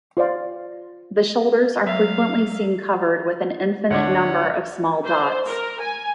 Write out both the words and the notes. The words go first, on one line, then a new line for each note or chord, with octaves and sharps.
The shoulders are frequently seen covered with an infinite number of small dots.
F4 C5 D5 F5
F#3 E5 F5
D2 D4 C#5 F#5
C5
A#4
G#5